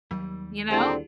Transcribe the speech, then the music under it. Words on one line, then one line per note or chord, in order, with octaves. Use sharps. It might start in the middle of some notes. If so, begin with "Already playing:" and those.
you know?
D#2 F#3 G3
F2 A#2 D3 C4 E4 G4 G#4